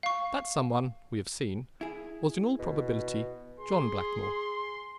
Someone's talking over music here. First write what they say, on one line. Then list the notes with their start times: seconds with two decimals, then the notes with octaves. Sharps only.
That some one, we have seen, was, in all probability, John Blackmore.
0.03 F5 C#6
1.81 E4 G#4
2.59 B2
3.60 G#4 C6